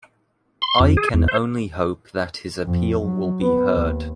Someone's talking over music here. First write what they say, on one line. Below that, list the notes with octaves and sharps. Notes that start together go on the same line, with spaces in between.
I can only hope that his appeal will be heard.
C6
F2
G#4
E2
C5
F2
F#3
B3
D#2